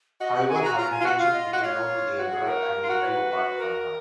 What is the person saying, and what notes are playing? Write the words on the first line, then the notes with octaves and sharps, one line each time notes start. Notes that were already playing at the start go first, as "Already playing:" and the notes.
However, her intentions became known to the emperor and he grew apart from her.
F#4 D#5
F#5
G#5
G#4
F#4 A#5
F4 A#5
G#5
F4
F#4 F#5
F4 F5
D#5
F#4
F4 C#5 D#5
F#4
G#4
A#4
F4
F#4
C#5
B4
F#4
A#4